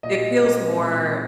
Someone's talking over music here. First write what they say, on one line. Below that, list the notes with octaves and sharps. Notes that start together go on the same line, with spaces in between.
It feels more
A#2 D#5
G#3 C4
A#2